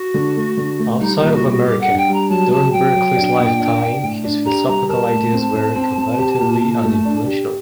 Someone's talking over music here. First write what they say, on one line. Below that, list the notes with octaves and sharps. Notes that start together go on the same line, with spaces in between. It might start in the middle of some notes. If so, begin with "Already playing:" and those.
Outside of America, during Berkeley's lifetime his philosophical ideas were comparatively uninfluential.
Already playing: F#4
D3
A3
D3
A3
G3 D#4
D#4
A#2
F#4
G3
F#4
G3 G4
F#5
D4
G5
G3
A#5
F#3 A5
F#3 A5
F#3 G5
F#3
D4
A#2
D4
D4
A2
D4
G4 A#5
G3 A#5
A#4 A5
A3
C4
C4
C4
C4
G4
A#2
A#2
A3
D4
G4